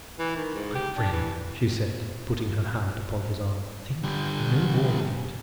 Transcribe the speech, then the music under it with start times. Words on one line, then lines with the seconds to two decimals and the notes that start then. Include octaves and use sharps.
"My friend," she said, putting her hand upon his arm, "think no more of it."
0.19 E3
0.36 D#3
0.55 G#2
0.75 G4
0.98 D4
1.12 E3
4.04 D3 G3